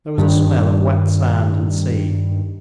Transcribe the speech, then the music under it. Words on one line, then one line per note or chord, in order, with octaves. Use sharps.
There was a smell of wet sand and sea.
G2 D#3